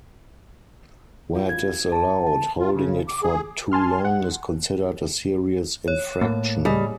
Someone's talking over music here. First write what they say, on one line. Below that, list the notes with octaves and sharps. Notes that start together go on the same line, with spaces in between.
Where it is allowed, holding it for too long is considered a serious infraction.
F4
G#6
A5
A5
F4
C#3
D6
G#4
G#5 A5 C6 F6
F#5
C#5
A2 A#3
G3 G#4 D#5